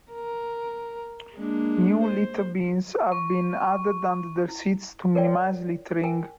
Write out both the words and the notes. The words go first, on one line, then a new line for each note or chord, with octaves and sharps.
New litter bins have been added under the seats to minimise littering.
A#4
G#3 A#3 D4
C5
C#6
E4
A#4 C#5 D5 G5
A#4 G5 G#5